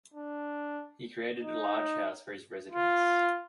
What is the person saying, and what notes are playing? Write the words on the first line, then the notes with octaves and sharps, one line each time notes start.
He created a large house for his residence.
D4
D#4
F4